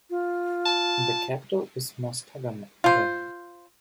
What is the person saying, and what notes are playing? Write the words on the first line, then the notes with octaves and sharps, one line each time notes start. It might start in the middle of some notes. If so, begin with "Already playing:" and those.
The capital is Mostaganem.
F4
A5
F4 C5